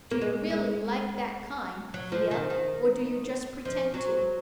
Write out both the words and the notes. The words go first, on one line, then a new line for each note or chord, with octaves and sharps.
Do you really like that kind, Thea, or do you just pretend to?
A#3
G#3
G#3
F#3
F3
D#3
D#3
F3
F#3